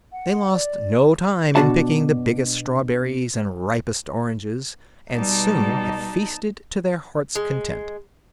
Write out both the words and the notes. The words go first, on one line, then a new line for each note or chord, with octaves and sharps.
They lost no time in picking the biggest strawberries and ripest oranges and soon had feasted to their hearts' content.
F#5
D5
B2 F#3 D4 F#4 A5
B2 G3 D#4 A5
G#3